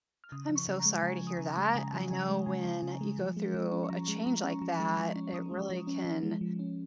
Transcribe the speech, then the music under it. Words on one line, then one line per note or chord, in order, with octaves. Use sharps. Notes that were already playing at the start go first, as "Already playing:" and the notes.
I'm so sorry to hear that. I know when you go through a change like that, it really can
F6
C#3 D#6
F3
C#6
C#3
A#5
G#3
C#3 G#5
F3
D#6
C#3
A#5
G#3
C#3 G#5
F3
C#3 G#5
G#3
C#3 G#5
F3
C#3
G#3
F3
G#3
F3
C#4
C#6
F3 A#5
G#3
F3 A#5
C#4
C#6
F3 A#5
G#3
F3 C#6
C#4
F3 D#6
G#3
F3
C#4
F3
G#3
F3
C#4